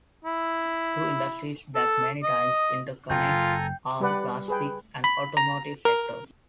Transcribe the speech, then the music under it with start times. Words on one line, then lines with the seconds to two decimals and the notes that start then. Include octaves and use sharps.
Two industries that many times interconnect are the plastic and automotive sectors.
0.25 E4
1.76 A4
2.24 D#5
3.10 F#1 C#3 F4 A4 G5 G#5 A#5 G6
4.00 G3 G4 B4 D5 F#5
4.48 G#4 B4 G5
5.04 B5
5.37 A#5
5.85 A#4